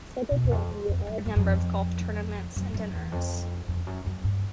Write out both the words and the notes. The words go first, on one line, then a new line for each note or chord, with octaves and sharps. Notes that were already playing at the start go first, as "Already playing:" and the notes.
Scheduled throughout the year are a number of golf tournaments and dinners.
B2
E2
F2
F2
F#2
F#2
F#2
F2
F#2
F#2
E2
F2
F2
F#2
F#2
G2